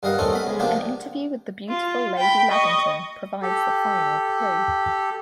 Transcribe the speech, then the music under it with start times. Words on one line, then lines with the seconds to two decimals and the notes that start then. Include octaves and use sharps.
An interview with the beautiful Lady Lavington provides the final clue.
0.03 G2 G3 A#4 D#5 F5 F#5
0.18 A3 C4 C#4 D#4 A4 A#4
0.33 B3 B5
0.47 C#2 G#3
0.59 C3 F3 A#3 B3 D4 G4
1.69 F4
2.18 G5 B5
2.51 D#5 C#6
3.42 G4 A4